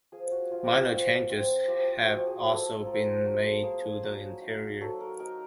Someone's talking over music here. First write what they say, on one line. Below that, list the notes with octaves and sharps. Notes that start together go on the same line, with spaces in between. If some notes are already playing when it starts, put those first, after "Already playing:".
Minor changes have also been made to the interior.
F3 G#4
F#4
F3 F4
G4
F#4
F3 F#4
C4
F3 G4
F3 F#4
G#4
F3 A4
A4
F3 A#4
B4 C5
F#3 C5
A4
A#3 G#4
G#4
F#3
D#4
F#3 A4
A#4
D#4 A#4